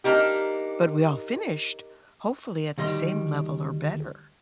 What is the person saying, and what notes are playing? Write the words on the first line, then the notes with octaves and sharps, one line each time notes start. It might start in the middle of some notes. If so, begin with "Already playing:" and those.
but we all finished, hopefully, at the same level or better.
A#3 D4 D#4 G4
D2 D#3 G3 D#5 C6